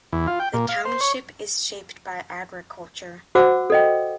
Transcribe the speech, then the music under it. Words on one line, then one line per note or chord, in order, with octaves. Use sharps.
The township is shaped by agriculture.
E2
F4
G5
A#2
F5
C5
C#5
F#4 C5 F#5 D6 E6
A4 D#5 G5